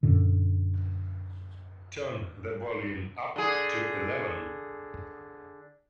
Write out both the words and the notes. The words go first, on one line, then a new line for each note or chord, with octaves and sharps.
Turn the volume up to eleven.
F#2 A#2 D3
D3 G#4